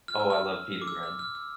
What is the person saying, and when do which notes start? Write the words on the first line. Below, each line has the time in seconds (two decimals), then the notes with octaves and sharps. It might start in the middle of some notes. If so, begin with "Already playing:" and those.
Oh, I love pita bread.
0.08 F6
0.20 E6
0.30 F6
0.82 D6
0.88 E6
1.03 F6
1.19 F6
1.35 E6